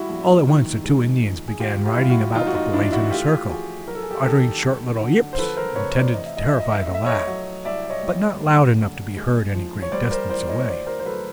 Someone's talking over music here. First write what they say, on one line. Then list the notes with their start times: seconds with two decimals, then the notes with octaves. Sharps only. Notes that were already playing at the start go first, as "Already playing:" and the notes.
All at once the two Indians began riding about the boys in a circle, uttering short little "yips," intended to terrify the lads, but not loud enough to be heard any great distance away.
Already playing: G3 E4 F#4
0.09 A#1
0.47 D#3
0.84 G#3
1.22 F3
1.48 G#4
1.60 D#2 F4 G4
1.86 F4 G4
1.93 E4
1.97 G3 F4
2.10 E4 F#4
2.35 G#1 D#4 F4
2.47 F#4
2.55 D#4 F4
2.73 E3 D4 E4
2.92 E4 F#4
3.11 A3 F4 G4
3.49 F3 F#4 G#4
3.87 F#3 A#4
3.95 A4
4.03 G#4
4.11 G4 A4
4.24 D#3 G4 A4
4.63 F#3
5.01 D3
5.33 C5
5.38 F3 A4 B4
5.57 A#4 C5
5.75 C3 B4 C#5
5.94 C5 D5
6.14 A1 D#5
6.26 E5
6.37 D#5
6.48 F3 E5
6.60 D#5
6.71 E5
6.83 D#5
6.90 A3 E5
7.06 C#5 D#5
7.27 F#3
7.65 C2 D5 E5
7.90 C#5 D#5
8.03 G3
8.40 F#1
8.78 D3
9.17 G#3
9.54 F3
9.82 C#5
9.92 G3 C5 D5
10.11 A#4 C5
10.30 E3 C5 D5
10.48 C#5 D#5
10.59 C#5
10.68 D2 C5 D5
10.86 A#4 C5
11.00 C5
11.05 F#3 A4 B4